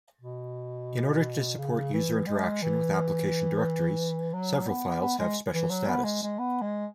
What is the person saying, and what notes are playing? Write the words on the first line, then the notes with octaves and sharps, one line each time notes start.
In order to support user interaction with application directories, several files have special status.
B2
C#3
E3
G#3
E3
F#3
B3
B3
G#3
E3
F#3
B3
G#3
G#3
B3
G#3